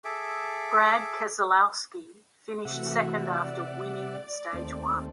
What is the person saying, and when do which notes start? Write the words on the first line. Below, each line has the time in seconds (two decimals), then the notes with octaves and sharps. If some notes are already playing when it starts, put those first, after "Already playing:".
Brad Keselowski finished second after winning stage one.
0.05 G#4 A4 E5 D6
2.65 C3 E3 A3 F#4 E5 F#5
3.12 D5
4.53 D#2 A3 C4